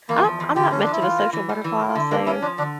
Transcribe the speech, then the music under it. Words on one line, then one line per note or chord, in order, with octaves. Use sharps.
I'm I'm not much of a social butterfly, so
E2 A#3
F3
E2
D3 G4
E2 C#4
D4
F3
E4
E3 F4
A#3
E3
G3
E3
A#3
F4
D3 E4
A#3 D4
C#4 E4
F3 D4
D3 D4